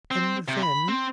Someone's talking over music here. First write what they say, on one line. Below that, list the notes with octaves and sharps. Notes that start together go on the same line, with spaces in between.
"And then?"
C4
C3
B5
C4